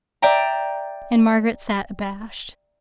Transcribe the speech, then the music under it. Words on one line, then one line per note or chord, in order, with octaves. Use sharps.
And Margaret sate abashed.
D5 E5 G5 A#5